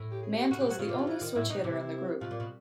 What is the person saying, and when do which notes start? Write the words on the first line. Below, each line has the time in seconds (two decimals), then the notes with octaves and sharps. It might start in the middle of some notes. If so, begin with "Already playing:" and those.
Mantle is the only switch-hitter in the group.
Already playing: A2
0.11 G4
0.23 G#4
0.37 G4
0.51 B2 F#4
0.60 C3 G4
0.69 F#3 F#4
0.78 C#3 F4
0.89 C3
0.99 D3
1.07 E3
1.21 D#3
1.35 A2 E4
1.49 B2 D#4
1.64 C3 E4
2.20 B2 F4
2.31 A#2
2.40 B2